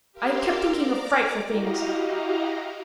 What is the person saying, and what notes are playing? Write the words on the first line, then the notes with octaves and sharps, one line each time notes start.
I kept thinking of frightful things.
G4 A#4 F5 C6 D6 E6
D5 A#5 D6
E4 F#4 G4 D#5 F5 A#5